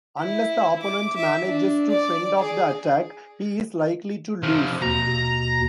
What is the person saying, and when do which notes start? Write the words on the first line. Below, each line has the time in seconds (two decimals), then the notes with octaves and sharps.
Unless the opponent manages to fend off the attack, he is likely to lose.
0.19 E4
0.82 D6
1.16 E5
1.45 D4
1.90 D5
2.37 G#4
4.43 C3 F3
4.82 D#2 B2 A#5